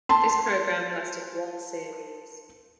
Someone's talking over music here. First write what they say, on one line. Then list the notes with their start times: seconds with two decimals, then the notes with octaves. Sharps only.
This programme lasted one series.
0.09 A5 C6